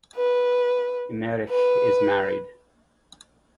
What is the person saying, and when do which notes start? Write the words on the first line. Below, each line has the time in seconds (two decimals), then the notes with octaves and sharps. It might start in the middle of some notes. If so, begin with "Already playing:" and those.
Emmerich is married.
0.16 B4
1.50 B4